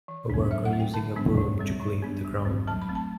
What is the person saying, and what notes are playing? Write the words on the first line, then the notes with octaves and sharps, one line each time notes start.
A worker using a broom to clean the ground.
E3
B3 D4
F#3 E5
F#5
C4
G5
D3 A5
G3 B3 D4
E3
G3 C4
E3
B3 D4
G3
C4
F#3 A5
B5
A3 C4
A5